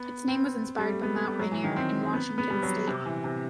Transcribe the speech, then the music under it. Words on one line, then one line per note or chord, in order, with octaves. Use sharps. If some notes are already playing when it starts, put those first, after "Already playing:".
Its name was inspired by Mount Rainier in Washington state.
Already playing: B3
C4
G3
A3
B3
A3
G3
F#3
E3
D#3
C4
C4
B3
B3
G3
F#3
C3
E3
C3